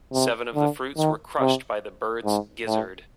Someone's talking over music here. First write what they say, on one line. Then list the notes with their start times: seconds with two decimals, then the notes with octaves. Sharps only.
Seven of the fruits were crushed by the bird's gizzard.
0.13 C3
0.55 D3
0.97 D#3
1.40 C3
2.25 G#2
2.66 A2